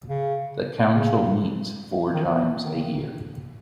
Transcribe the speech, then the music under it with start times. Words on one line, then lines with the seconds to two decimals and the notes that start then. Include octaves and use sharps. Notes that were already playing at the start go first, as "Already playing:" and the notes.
The council meets four times a year.
0.10 C#3
0.95 C#3
2.15 D#3
2.23 F3
2.65 D#3
2.74 C#3
2.81 D#3